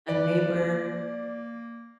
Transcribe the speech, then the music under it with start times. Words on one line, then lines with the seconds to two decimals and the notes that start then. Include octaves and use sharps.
a neighbor.
0.09 B4 D5
0.60 A#3